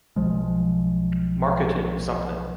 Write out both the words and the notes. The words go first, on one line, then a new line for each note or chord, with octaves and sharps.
Marketing something.
B1 F3 G#3